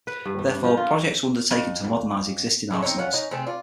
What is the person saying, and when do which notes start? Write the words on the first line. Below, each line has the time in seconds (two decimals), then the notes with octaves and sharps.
Therefore, projects were undertaken to modernise existing arsenals.
0.07 B4
0.26 G2
0.39 G3
0.50 D4
0.63 F3
0.77 F4
1.51 F2
2.71 A2 G#3 A3 E5
2.82 C4 C#4 D#4 C#5
2.98 C#4 F4 C#5 F#5
3.13 C#4 D#4
3.31 C3 A3 C4 G#4
3.47 F4 D5